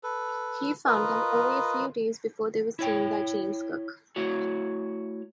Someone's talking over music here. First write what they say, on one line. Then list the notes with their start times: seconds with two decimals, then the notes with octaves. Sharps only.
He found them only a few days before they were seen by James Cook.
0.03 A4 B4
0.86 F4 A#4 B4 D#5
2.79 E4 C#5 G5
4.16 A3 E4 F#4 C#5